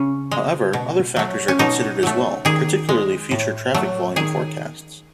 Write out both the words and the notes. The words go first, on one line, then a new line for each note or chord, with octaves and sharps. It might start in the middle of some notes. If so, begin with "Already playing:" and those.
However, other factors are considered as well, particularly future traffic volume forecasts.
Already playing: C#3 C#4
G#3
B2
F#3 A3
C#4
B2 D#4
F#3 A3
D#3 G#4
G#3
A2
F#3 A3
D#3 G#4